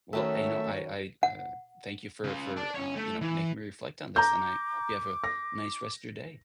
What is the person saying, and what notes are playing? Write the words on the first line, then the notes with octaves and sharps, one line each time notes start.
Well, uh, you know, I I, uh, thank you for for, um, you know, making me reflect on this, and I hope you have a nice rest of your day.
D#3 F#3 A3 C#4 E5
F#5
C#3 F4
D5 A5
C#4 C#5
A3
E3
A#5 D6 G6
A#6